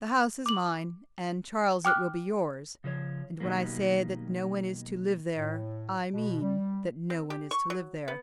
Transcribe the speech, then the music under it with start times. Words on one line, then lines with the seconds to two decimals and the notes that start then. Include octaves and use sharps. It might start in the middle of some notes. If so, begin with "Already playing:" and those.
The house is mine--and, Charles, it will be yours--and when I say that no one is to live there, I mean that no one is to live there.
0.46 D6 F#7
1.85 G5 D6 F6 F#6
2.84 C#3 F3 B4 C#5
3.40 B2 D#3 F#3 G3 A#3
5.35 A2
6.13 B2
6.41 G3
7.10 C4
7.30 G4
7.51 C#6
7.70 F#3
8.08 B3